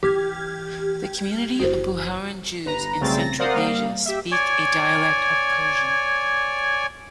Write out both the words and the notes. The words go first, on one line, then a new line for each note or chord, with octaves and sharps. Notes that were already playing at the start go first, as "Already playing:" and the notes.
The community of Bukharian Jews in Central Asia speak a dialect of Persian.
E3 G4 F6 G#6
F#1 E4 F#4 C5
G1 B4 A#5
B1 C#3 G3 A3 C4 A6
A#6
A#4 C5 D5 F5 F#5 D#6
G3 A#3 F5
G4 E5
C#5 D5 G#5